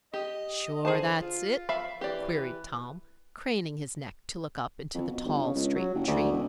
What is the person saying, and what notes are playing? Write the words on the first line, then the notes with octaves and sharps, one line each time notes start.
"Sure that's it?" queried Tom, craning his neck to look up into the tall, straight tree.
G4 D#5
D3 E3 G#4 C5 A5
F4
E5 F5 B5
E3 G4 B4 D5
F2
B2
G1
C#3
C#2
F#3
F#1
D2
E1